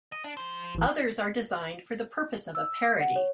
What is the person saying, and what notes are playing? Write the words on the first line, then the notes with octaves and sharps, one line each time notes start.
Others are designed for the purpose of a parody.
D#5
D4
F3 C5
G#1 E3
E6
F#5
C#5